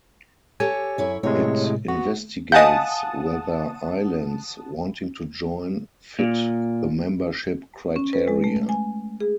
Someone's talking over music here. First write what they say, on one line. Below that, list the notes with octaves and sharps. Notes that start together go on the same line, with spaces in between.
It investigates whether islands wanting to join fit the membership criteria.
G4 A4 C#5 G#5
F#2 E4 C#5
A2 C3 G#3 C#5
B3 F#4
D#5 F5 F#5 G#5 A5 D#6 G6
A#2
C#4
B4
G#3
A3
G#5
G#4